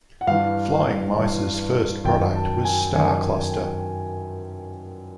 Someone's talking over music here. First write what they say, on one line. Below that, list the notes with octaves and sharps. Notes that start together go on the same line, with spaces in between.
Flying Mice's first product was StarCluster.
F#5
G2 E3 F5
G2 E3
F#2 D#3 G5
A5
G#5
F#2 D#3 G#5